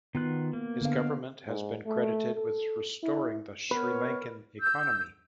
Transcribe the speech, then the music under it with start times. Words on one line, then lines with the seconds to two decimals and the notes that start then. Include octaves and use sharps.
His government has been credited with restoring the Sri Lankan economy.
0.15 D#3 B3 F4 F#6
0.53 A#3
0.81 D3 B3 F5
1.47 G#2
1.86 A3
2.35 A4
3.03 E4
3.71 B3 A#4 B4 C#5
4.61 E6 G6